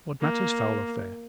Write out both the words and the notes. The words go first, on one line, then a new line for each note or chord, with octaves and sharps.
What matters foul or fair?
A#3